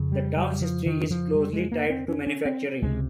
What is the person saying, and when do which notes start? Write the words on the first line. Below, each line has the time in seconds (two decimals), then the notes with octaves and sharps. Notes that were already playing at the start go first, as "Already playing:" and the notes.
The town's history is closely tied to manufacturing.
Already playing: F2 C#3
0.12 G3
0.37 G3
0.61 F3
0.86 D#3
1.11 F3
1.35 G3
1.53 G#3
1.72 A#3
1.90 C4
2.08 C#4
2.27 C#4
2.45 C4
2.82 C#2 C3 G#3